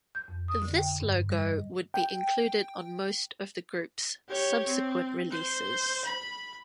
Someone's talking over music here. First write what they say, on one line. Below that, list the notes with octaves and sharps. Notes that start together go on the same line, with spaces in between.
This logo would be included on most of the group's subsequent releases.
G6
F2
D#6
D3
G5
G2
G3
D#5
G5
G4 C#5
C4
C5
B5